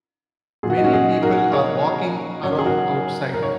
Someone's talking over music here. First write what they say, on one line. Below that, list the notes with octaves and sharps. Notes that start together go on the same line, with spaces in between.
Many people are walking around outside.
A#2 F#3 G#4
F#4
D#4
C#4 F#4
D#4 G#4
F#4 A#4
G#4 C#5
C#3 F#3 A#4 C#5
G#4
F#4 A#4
A#4
C#5